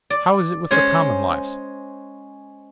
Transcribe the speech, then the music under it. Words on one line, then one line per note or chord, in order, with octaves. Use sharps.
How is it with the common lives?
D5
G#3 C#4 C5 C#5